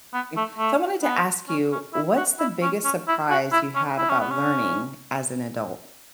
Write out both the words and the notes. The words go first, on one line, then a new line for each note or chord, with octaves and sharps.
Mm, so I wanted to ask you, what's the biggest surprise you had about learning as an adult?
B3
A3
A3
B3
C#4
C#4
E4
F#4
E4
C#4
C#4
E4
F#4
E4
C#4
E4
C#4
B3
C#4